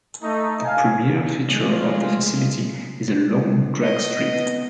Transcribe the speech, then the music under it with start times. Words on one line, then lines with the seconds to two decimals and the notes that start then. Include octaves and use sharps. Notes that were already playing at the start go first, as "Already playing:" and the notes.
The premier feature of the facility is a long dragstrip.
0.22 A3 D#4
0.65 F5 G#5
1.50 F3 G#3 A3 F4
3.81 B3 D#5